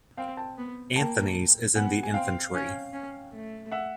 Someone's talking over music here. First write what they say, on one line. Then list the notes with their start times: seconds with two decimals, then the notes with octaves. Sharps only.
Anthony's in the Infantry.
0.17 C4 F5 G5
0.37 G5 A5
0.58 B3
0.96 A#3 G5 A5
1.75 B3 F#5 G#5
2.03 G#5
2.14 C4 F5 G5
2.54 C#4
2.93 C#4
3.33 A3
3.71 E5 F#5